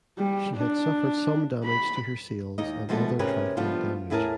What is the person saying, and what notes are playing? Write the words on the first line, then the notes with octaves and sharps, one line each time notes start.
She had suffered some damage to her sails and other trifling damage.
G3
D4
B5
D#2 D#4 D#5
B2 F3 G#3 A3 B3 D#4
C3 C#4 G4 G#4 A#4 B4
F3 G3 A3 B3 D4 F4
E2 A2 E4 G#4 A#4 A5